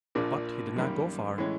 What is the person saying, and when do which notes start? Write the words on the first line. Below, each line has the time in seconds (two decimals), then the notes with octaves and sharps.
But he did not go far.
0.15 A#1 A#2 F3 A#3 D4
0.77 F#2 D#3 G3 A#3
1.38 A2 E3 G#3 C#4